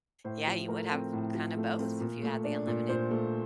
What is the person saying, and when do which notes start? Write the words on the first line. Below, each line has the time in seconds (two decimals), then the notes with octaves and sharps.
yeah, you would have kinda both if you had the unlimited
0.24 A2 C5
0.47 F3
0.69 A3 A#4
0.91 C4
1.13 A2
1.34 F3
1.57 A3
1.79 C4
2.00 A#2
2.23 A3
2.44 D4
2.67 A#2
2.89 A#2 C5
3.11 A3